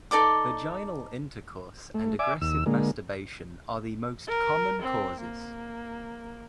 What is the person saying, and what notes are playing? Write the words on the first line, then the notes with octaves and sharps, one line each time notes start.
Vaginal intercourse and aggressive masturbation are the most common causes.
D#4 A4 D5 D6
A3
D5 E5 G#5 D6
D#2 E6
D3 G#3 A#3
A#4
C4
A#3